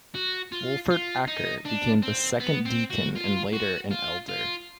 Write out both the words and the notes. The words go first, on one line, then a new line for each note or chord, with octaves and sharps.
Wolfert Acker became the second deacon and later, an Elder.
F#4
F4
F4
D#4
D4
C4
B3
C4
F#4
F4
F#4
F4
F4